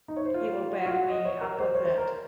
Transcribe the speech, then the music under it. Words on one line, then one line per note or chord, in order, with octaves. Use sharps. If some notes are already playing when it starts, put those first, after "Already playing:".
he will back me up with it.
D#4
C#5
C5
F4
F4
F#4
D#5
C#5
A#4
C5
C#5
C5
A#4